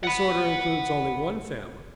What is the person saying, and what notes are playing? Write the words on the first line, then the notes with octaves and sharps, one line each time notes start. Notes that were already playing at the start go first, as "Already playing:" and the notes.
This order includes only one family.
F#5 B5